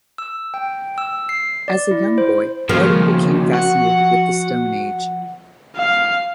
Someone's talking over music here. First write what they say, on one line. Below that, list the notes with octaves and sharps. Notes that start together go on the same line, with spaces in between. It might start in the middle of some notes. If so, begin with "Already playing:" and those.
As a young boy, Harding became fascinated with the Stone Age.
E6
G5
E6
C7
D5
E4
C5
D#2 C#3 F3 F#4 A#4
F#5
F5